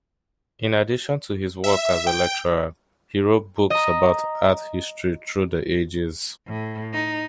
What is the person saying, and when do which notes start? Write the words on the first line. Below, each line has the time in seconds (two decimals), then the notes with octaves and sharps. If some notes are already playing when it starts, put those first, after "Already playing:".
In addition to his work as a lecturer, he wrote books about art history through the ages.
1.64 E5
2.07 G5
3.70 D#5 A#5
6.47 A2
6.94 D#4